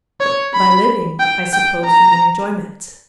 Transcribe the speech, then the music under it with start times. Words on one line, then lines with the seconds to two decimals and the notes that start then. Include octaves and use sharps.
'By living, I suppose you mean enjoyment.'
0.20 C#5
0.54 B5
1.20 G5
1.53 G5
1.85 A#5